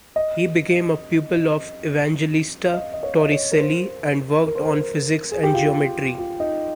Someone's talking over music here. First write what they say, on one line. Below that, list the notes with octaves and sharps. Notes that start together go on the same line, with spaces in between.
He became a pupil of Evangelista Torricelli and worked on physics and geometry.
D#5
F5
D#5
D#5
C#5
D#5
C#5
A#4
C5
A#4
C5
A#4
G#4
G4
F4
G4
F4
D#4